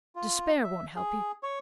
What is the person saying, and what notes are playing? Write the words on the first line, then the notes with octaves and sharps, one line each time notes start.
Despair won't help you.
F4
E5
G#4
C#5